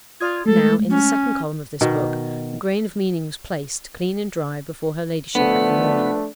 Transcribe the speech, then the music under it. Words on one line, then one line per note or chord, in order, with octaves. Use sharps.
Now, in the second column of this book, the grain of meaning was placed, clean and dry, before her ladyship every morning.
F4 D5 D#6 G#6
G#3 A3 A4
C#4
B2 D#3
D3 F3 A3 B3 D4